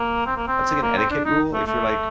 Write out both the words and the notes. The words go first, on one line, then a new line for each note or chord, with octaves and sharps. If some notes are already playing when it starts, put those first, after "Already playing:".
that's, like, an etiquette rule, if you're, like
Already playing: A#3
C4
A#3
C4
A#3
C4
D4
D#4
A3
A3